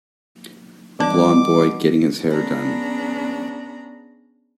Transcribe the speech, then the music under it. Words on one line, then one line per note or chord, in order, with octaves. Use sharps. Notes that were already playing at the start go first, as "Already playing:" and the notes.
A blond boy getting his hair done.
B2 E3 G3 D4 D6
B3 C#4 D4 G#4 A#5 B5